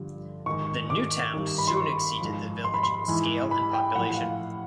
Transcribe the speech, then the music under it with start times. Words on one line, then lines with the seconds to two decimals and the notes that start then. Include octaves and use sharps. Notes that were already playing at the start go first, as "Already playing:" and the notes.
The new town soon exceeded the village in scale and population.
Already playing: G2 D3 F3
0.46 G#2 D#3 C#6
0.90 D6
1.33 G2 D#3
1.58 B5
1.68 C6
1.77 C#6
2.21 G#2 F3
2.64 C6
2.74 B5
2.83 C6
3.08 G#2 E3
3.51 B5
3.73 G5
3.95 A2 F#5
3.98 F3
4.17 F5